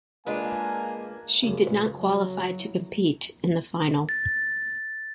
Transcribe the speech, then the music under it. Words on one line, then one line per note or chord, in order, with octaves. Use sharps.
She did not qualify to compete in the final.
G#3 A#3 D4 F4 B4 G#5
F#2 C#3 G4
A#2 B4
F#3 F#4
E4
A6